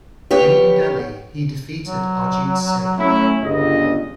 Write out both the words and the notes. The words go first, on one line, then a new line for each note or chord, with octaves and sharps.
In New Delhi he defeated Arjit Singh.
B3 G4 C#5
F#3
A3 C#4 E4
G1 C#2 D#5